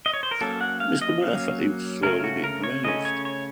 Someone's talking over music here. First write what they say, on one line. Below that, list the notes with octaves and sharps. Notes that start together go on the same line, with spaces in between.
Mr. Murphy was slowly being roused.
D#5
C#5
C5
A#4
F#3 A#3 C#4 A4
F#5
F5
D#5
F#3 A#3 C#4 F5
C#3 A3 C#4 A#4
F#4
A#4
C#5
C#3 A3 C#4 D#5
C#5
C#5